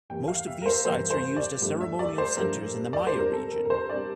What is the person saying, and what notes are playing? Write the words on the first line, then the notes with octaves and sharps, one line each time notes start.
Most of these sites are used as ceremonial centers in the Maya religion.
G2 E3 G3 A#3 G5
F5
E5
A#4
C5
G2 E3 G3 A#3 C5
C5
D5
G2 F3 A3 D4
E5
D5
C5
G2 F3 A3 D4 A#4
D5
C5
C3 G3 D4
A#4
A4
A#4
A#4
C5
C3 G3 D4 D5